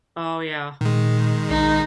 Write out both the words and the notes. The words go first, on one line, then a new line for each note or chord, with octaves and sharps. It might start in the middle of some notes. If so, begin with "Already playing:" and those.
Oh, yeah.
A#2 D#3 G#3
B1 D#4